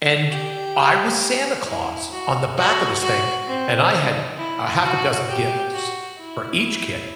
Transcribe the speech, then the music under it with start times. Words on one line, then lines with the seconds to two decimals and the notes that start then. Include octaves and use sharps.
and I was Santa Claus on the back of this thing, and I had a half a dozen gifts for each kid,
0.31 G4
1.66 E4
2.11 F#4
2.57 F#4
3.01 F#4
3.47 C4
3.91 D#4
4.37 E4
4.82 F#4
5.28 G4
5.73 F#4
6.18 E4